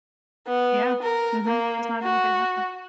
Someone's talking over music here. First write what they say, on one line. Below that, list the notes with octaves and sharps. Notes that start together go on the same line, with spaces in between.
Yeah, mhm, 'cause not everybody has one.
B3
A#4
A#3
F#4